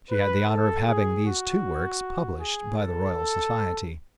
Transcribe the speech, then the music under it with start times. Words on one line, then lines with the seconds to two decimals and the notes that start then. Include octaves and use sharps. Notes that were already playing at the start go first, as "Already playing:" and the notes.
She had the honor of having these two works published by the Royal Society.
0.11 B4
0.50 A4
0.87 G#4
1.26 F#4
2.39 G#4
2.78 A4